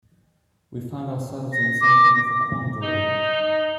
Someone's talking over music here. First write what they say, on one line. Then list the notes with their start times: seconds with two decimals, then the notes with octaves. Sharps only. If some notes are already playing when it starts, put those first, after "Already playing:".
We find ourselves in something of a quandary.
1.52 A#6
1.81 D6
2.81 D#4